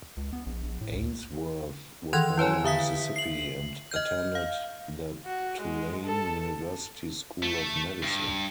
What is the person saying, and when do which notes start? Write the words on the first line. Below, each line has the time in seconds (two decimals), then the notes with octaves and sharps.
Ainsworth was born in Mississippi and attended the Tulane University School of Medicine.
0.17 C#2
0.33 B3
0.46 A#1
0.63 A#1
0.81 A2
0.95 D2
2.13 D#3 E3 C6 F#6 G#6 F7
2.38 E4 B4 C#5 G#5
2.64 D3 E5 D#6 B6
3.16 C7 F#7
3.91 D#5 F6 G6
4.35 F5
5.26 F#4
5.60 G#3
6.05 A4
7.42 A3
8.03 G2